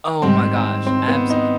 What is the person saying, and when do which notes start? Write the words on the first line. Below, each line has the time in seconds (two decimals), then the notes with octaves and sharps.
Oh, my gosh, abs
0.22 G#2 D#3 G3 C4
0.55 C4
0.87 C4
1.08 B3
1.30 D#4